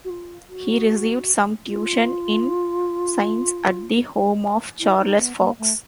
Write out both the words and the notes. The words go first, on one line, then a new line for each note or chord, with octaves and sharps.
He received some tuition in science at the home of Charles Fox.
F#4
F4
F#4
F4
E4
D#4
B3
A#3
A3